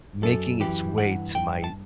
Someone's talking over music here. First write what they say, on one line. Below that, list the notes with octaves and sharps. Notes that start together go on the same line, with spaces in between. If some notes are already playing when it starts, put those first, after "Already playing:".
making its way to my
F#2 A4
E3 G4
G2 F#5
G2 G5
A5